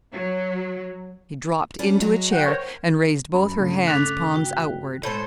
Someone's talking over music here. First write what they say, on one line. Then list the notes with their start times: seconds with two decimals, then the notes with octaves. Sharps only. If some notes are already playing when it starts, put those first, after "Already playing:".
She dropped into a chair and raised both her hands, palms outward.
0.11 F#3
1.79 G3 C#4 D4
2.01 F#3 G#3 F#4
2.33 F#5 G5
2.46 A#4 C5 C#5
3.34 F#2 B5
3.59 G2 C#3 A3
3.87 C#4 A4 D6 F#6 B6 F7
4.34 F#4 G5
5.03 A2 G#3 A4 C5